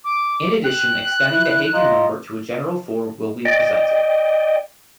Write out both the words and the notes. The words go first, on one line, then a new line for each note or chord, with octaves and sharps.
In addition, extending the Hagen number to a general form will be presented.
D6
G5 F#6
E4
F4 D#5 A#5
D5 D#5 G5